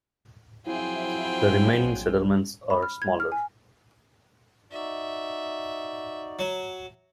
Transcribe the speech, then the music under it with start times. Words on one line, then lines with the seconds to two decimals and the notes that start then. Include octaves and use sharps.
The remaining settlements are smaller.
0.67 F3 F#3 C4 E4 F4 G#4 G5
1.84 A#1
2.70 B5
2.83 F6
3.02 G#6
3.20 F6
3.32 G#5
4.72 D#4 F#4 D5 E5
6.39 F#3